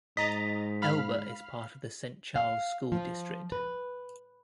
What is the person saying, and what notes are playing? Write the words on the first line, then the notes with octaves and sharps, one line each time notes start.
Elba is part of the Saint Charles School District.
G#2 D#5 A#5 A6 B6
F5 B5 F6
F5
F3
B4